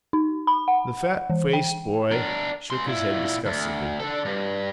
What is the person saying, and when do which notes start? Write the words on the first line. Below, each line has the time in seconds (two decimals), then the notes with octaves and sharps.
The fat-faced boy shook his head disgustedly.
0.13 D#4
0.47 B5
0.68 F#5
1.30 E3
1.53 G5
2.11 D4 A#4
2.70 C#4 C6
2.86 A#2 E4
3.45 D2
4.00 D4 A4
4.25 G2